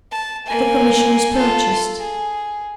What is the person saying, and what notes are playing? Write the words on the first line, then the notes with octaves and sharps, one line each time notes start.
The commission is purchased.
A5
A#3 G#5
F4 A4
G#4